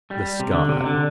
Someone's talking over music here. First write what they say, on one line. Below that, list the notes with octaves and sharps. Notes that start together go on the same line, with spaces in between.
The sky.
G3
C3
D3
C3
C3
D3